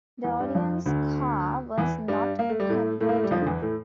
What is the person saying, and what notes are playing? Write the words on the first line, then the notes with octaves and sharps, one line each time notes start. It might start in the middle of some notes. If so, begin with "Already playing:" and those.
The audience car was not converted.
E2 E3
G2 G3
F2 F3
D2 D3
E2 E3
G2 G3
A#3
A3
G3
A2 A3
A2 A3
A#3
A3
G3
F2 F3
D3
E2 E3
A2 A3